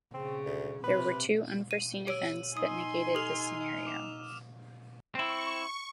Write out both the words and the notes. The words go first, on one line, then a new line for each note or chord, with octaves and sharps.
There were two unforeseen events that negated this scenario.
C#3 C4
D2
C3 B4
D#7
G4 C#5 E6 D7 D#7
D#4 G#5 C6 D#6
G4 A4 D#6 F6 F7 F#7
D6 E7 F7
C4 E4 C#6